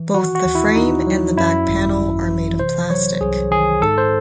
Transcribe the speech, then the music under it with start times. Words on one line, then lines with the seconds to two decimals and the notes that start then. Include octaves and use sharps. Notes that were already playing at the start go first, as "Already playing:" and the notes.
Both the frame and the back panel are made of plastic.
Already playing: E3
0.14 D#3 F#4
0.35 F#4
0.45 D#2
0.55 E4
0.76 D#2 D#4
1.07 F#3
1.37 F#2 E4
1.68 G#1
1.98 G#1
2.29 E3
2.59 C3 C5
2.90 F#3 C#5
3.21 C2 G#4
3.51 D#3 G#4
3.82 G#2 A4
3.98 C5